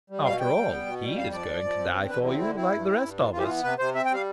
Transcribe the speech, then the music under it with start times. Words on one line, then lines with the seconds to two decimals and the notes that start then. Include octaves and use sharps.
After all, he is going to die for you, like the rest of us.
0.10 G3
0.24 B2 F5
0.40 G3 G5
0.56 G3
0.71 B3
0.86 B2
1.02 G3
1.17 F2 F5
1.32 F3 D5
1.49 F3
1.64 F3
1.79 C4
1.94 D3
2.09 E2 B4
2.25 C4 E4
2.40 D3 E4
2.55 C4 E4
2.71 G2
2.87 C4
3.02 G2
3.18 E3
3.33 E3 F4
3.39 G4
3.43 F4
3.48 B3
3.63 C3 B4
3.79 C3 C5
3.95 C4 E5
4.05 G5
4.11 G3 F5